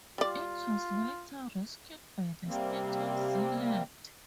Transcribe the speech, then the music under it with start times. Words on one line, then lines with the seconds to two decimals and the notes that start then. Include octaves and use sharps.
It was later rescued by the State of Zeeland.
0.18 G3 F4 D5
2.47 C3 G3 A#3 C4